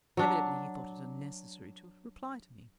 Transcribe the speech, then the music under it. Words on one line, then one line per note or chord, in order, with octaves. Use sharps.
Evidently he thought it unnecessary to reply to me.
F#3 D4